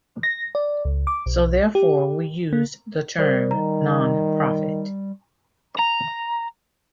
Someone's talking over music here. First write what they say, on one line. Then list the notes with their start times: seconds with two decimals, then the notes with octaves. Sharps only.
So, therefore we used the term non-profit.
0.23 A#6
0.55 D5
0.85 C#2
1.07 D6
1.26 B1
1.75 G4
2.53 A#3
3.19 G3 A#4 C5 D5
3.51 D#3 A#5
5.79 A#5